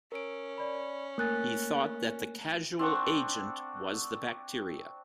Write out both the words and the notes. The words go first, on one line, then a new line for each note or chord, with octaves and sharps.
He thought that the causal agent was the bacteria.
C#4 A#4 D7
D5 B5
A3 A#3 A#4 G#5 F#6 A6
C4 D4 F#5 C#6